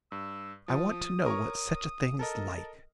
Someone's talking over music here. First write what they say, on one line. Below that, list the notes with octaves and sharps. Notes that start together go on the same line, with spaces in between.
I want to know what such a thing is like.'
G2 E6
F3 D#6
A#4 C#5 C#6
A4 A#4 D#5 A5